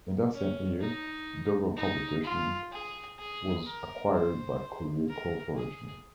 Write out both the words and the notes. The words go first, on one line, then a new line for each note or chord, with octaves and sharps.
In that same year, Dover Publications was acquired by Courier Corporation.
C#4
D#4
D#4
F4
G#4
G#4
A#4
C5
A#4
G#4